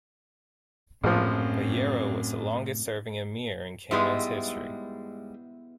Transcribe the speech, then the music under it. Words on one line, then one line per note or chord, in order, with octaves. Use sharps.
Bayero was the longest-serving emir in Kano's history.
A#1 F#2 A2 F3 C4
G#2 G3 G#3 B3 E4 E5